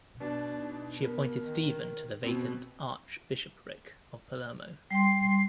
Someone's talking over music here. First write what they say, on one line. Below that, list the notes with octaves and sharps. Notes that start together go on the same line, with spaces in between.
She appointed Stephen to the vacant archbishopric of Palermo.
B2 D4
D#4
B3 A#4
D#3
B2 B3 C4 F#4
G3 G5 C6 C7